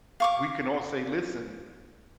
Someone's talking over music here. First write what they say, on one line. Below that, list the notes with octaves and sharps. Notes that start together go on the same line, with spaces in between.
we can all say, listen,
F5 C#6 D6